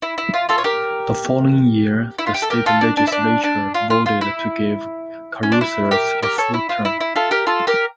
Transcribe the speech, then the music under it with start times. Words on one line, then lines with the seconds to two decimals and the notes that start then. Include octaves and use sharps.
The following year, the state legislature voted to give Caruthers a full term.
0.02 E4
0.18 E4
0.34 F4
0.49 F4 A4
0.58 C#5
0.64 G4 A#4
2.18 E4
2.27 F4
2.34 G4
2.42 A4
2.50 G4 A#4
2.66 F4 A4
2.81 D4
2.97 D4
3.07 E4
3.12 D4
3.44 D4
3.74 F4
3.90 F4
4.06 F4
4.21 E4
5.43 C#4
5.52 D4
5.61 E4
5.91 G4 A#4
6.23 G4 A#4
6.38 A4 C#5
6.54 E4
6.69 F4
6.85 E4
7.01 E4
7.16 F4 A4
7.31 G4 A#4
7.47 F4 A4
7.67 G4 A#4